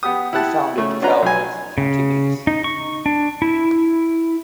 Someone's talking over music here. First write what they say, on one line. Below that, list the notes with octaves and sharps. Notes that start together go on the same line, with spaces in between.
He founded Kells, County Meath.
B3 G4 D#6
E4 G4 F#5 A5
C#3 A3
C#4 D4 F4 F#4 B4 A#5
B1 G#5
C#3
D#4
C#6
D4
E4